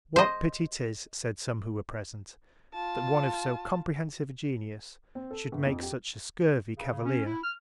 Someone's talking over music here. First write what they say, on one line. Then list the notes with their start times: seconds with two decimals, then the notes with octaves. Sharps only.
What Pity 'tis, said some who were present, that one of so comprehensive a Genius, should make such a scurvy Cavalier?
0.16 C5 D#5
2.73 F4 A5
5.15 C4
5.31 A4
5.52 G1
5.66 F2
5.83 G4
6.77 C#3
6.91 C#3
7.06 C#4
7.26 E4
7.44 F6